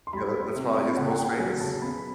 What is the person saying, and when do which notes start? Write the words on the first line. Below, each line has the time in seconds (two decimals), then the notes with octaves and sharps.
yeah, that that's probably his most famous.
0.07 C6
0.13 G3 B5
0.34 G3
0.56 C3
0.76 C3
0.97 C#3 F#5
1.12 F#5
1.19 A#3 G5
1.39 F#3 G#5
1.61 C#3 A5
1.82 B2 B5